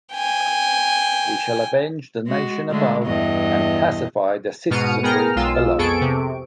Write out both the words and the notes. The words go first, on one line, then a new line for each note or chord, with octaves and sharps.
We shall avenge the nation above, and pacify the citizenry below.
G5 G#5
G#3 F#4
D3 G#3 A3
E2 G2 D#5
G#2 B2 F6 C#7 D#7
B3 G#4 A#4 G5 A#5 F6
B1 G#3 F4 E6
F2 B3 G#4 A4 C#6 D7
C3